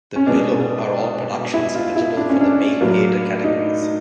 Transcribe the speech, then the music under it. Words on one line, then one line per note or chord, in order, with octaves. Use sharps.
The below are all productions eligible for the main theatre categories.
C#4
B2 G#3 B3 D4
E4
F4
E4
D4
C#4
D4
A2 F#3 A#3
D#4